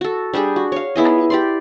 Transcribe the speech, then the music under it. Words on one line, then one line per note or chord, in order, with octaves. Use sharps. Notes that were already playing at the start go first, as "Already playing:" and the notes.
I mean,
F#4 A4
G3 D4 G4 G#4
F#4
C#5 F5
B3 E4 G#4 D#5
G4 D5 C6